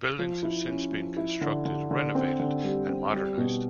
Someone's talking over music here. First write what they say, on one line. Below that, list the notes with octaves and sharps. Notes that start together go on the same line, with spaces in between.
Buildings have since been constructed, renovated, and modernized.
F3
E4
C#4
F3
E4
D3
D3
D3
C4
D3
G3
C4
G3
B2